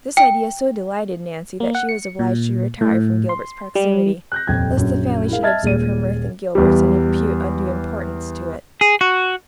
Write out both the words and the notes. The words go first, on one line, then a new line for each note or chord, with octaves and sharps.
This idea so delighted Nancy that she was obliged to retire from Gilbert's proximity, lest the family should observe her mirth and Gilbert's and impute undue importance to it.
G5
A#3
F#5
C#7
A#2
A2
C6
G3
F#6 G6 A#6
D#1 F2 G5 G#6
A#1 F#2
E4 G#4 A#4 F5
D#5 E5 A5 F6 G#6 A6
D#1 A#2 G#3 D#7
E2 G3
G#4
F#4